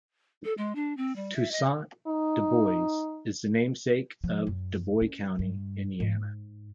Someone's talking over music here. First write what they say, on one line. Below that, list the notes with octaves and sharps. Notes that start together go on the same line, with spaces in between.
Toussaint Dubois is the namesake of Dubois County, Indiana.
A4
G#3
D4
C4
G3
E5
D#5
D#4
F3
F#2
C#4
G2
G#2